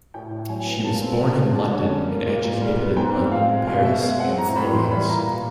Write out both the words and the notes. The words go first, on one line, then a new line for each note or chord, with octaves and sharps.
She was born in London and educated in London, Paris, and Florence.
A2 G5
A2
F#3 G#5
B3
A#2 A5
C4
F3 A5
G#3
D3 A5
C#4
G3
A#3
A#2
A#2
G3
B3
G#2 G5
C4
F3 F5
G#3
B2 F5
B2 E5
G#3 F5
C4 F#5
A2 A#5
A2 B5
E3 C6
G3 B5
A#2 A#5
A#2